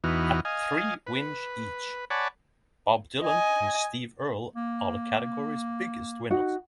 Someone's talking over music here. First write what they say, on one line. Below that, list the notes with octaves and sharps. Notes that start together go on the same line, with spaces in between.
At three wins each, Bob Dylan and Steve Earle are the category's biggest winners.
E2 E3 B3 D#4 F#4 F6
D#5 F5 G#5
B4
C#5 D5 F#5 G#5 A5 B5
D#5 G#5
A#3
D#4 F#4 F#5